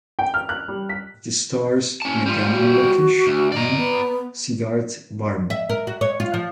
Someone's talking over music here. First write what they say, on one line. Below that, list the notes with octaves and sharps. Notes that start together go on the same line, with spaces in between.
It stars Meghana Lokesh and Siddharth Varma.
G5
F6
F#6
G3
B6
C#4 A5
G3 F4
F#4
D2
D5 D#5 A#5
B3
E5
A#4
F#4
C#5
F4
F3